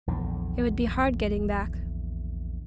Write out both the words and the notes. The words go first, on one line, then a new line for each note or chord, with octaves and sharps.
It would be hard getting back.
A#1 E2 D3